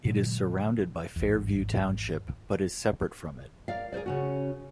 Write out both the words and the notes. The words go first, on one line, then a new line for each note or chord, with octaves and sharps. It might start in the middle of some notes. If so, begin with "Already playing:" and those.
It is surrounded by Fairview Township but is separate from it.
A#2 D3 F#3 G#3
G#1 E2
A#4 D5 F5
G#4 A#4 C5 D5
C#3 C#4 F#4